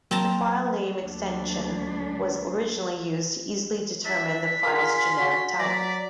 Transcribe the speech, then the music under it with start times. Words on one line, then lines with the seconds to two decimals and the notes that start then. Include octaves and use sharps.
The filename extension was originally used to easily determine the file's generic type.
0.11 F#3 A#3 C4 A5 A#5
1.05 D2 D4
4.05 D4 E5 B6
4.63 D4 D#4 F4 G#4 A#4 F5 C6
5.17 F#4 B6
5.59 F#3 D5 A#5